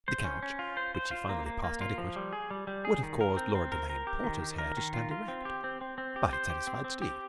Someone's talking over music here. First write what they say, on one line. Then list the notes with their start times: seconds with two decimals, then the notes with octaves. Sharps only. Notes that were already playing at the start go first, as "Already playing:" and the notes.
The couch which he finally passed adequate would have caused Lora Delane Porter's hair to stand erect, but it satisfied Steve.
0.08 C5
0.25 C#4
0.43 C#4
0.59 F4
0.77 C5
0.95 C5
1.11 F4
1.29 A#3
1.46 A#3
1.64 A#3
1.81 F4
1.98 F3
2.16 G3
2.33 G#4
2.51 G3
2.67 G3
2.85 G#4
3.03 D#3
3.21 A#4
3.37 C4
3.55 C4
3.72 A#4
3.90 A#4
4.07 G4
4.24 D#3
4.42 D#3
4.58 A#4
4.77 D#3
4.94 F4
5.11 F4
5.28 C4
5.45 G4
5.64 C4
5.81 C4
5.98 C4
6.16 G4
6.33 C5
6.50 G4
6.67 C4
6.84 C4
7.02 G4